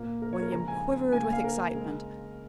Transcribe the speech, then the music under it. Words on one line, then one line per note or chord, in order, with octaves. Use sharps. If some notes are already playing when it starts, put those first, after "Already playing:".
William quivered with excitement.
Already playing: A#2 A#3
A#4
C#5
A#4
C#3 F3 G#3 A#5
G#5
C#3 A#3 G#5
G#5
F5
A#4
C#3 G#3